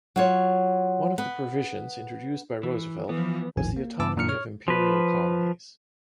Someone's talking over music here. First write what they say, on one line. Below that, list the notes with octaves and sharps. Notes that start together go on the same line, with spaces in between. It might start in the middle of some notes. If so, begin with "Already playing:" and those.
One of the provisions, introduced by Roosevelt, was the autonomy of imperial colonies.
F#3 F4 C#5
B3
E3
E3 F3 B3
G#1 D#2 A2 D#3 F3 G#5
A#3
G2 C#3 B3 A5 D6 E6
F#2 A#2 D4 F6 C#7
C#5 C#6 F6
F3 B4